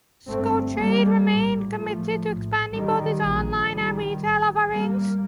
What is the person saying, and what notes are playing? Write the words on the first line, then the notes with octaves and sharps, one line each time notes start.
Scottrade remained committed to expanding both its online and retail offerings.
G1 G2 A3 C4
G3 A#3
A#1 A2
F3 A3
A#1 A2
D#3 G3
A#1 A#2
D#3 G3
A1 A2
G3 A#3